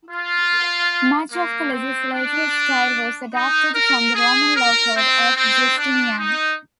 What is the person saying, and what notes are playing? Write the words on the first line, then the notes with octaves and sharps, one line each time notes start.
Much of the legislative style was adapted from the Roman Law Code of Justinian.
F4
A#3
C4
D4
D#4
A#4
G#4
A#4
C4
C4
D4
D#4